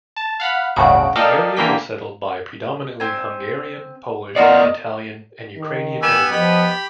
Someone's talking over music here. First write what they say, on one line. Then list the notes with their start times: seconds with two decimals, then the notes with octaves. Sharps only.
The area was settled by predominantly Hungarian, Polish, Italian and Ukrainian immigrants.
0.16 A5
0.40 F5 F#5 B5
0.76 G1 D2 A2 C#3 F#4 D7
1.16 A4 A#4 D5 D#5 F5 G5
1.57 D3 E3 A#3 G5 B6
3.00 C4 G#5
4.36 B3 F4 F#4 A#4 D5 D#5
5.57 D#3
6.03 B3 G4 G#5 E6
6.32 F3 G4 D#5 B5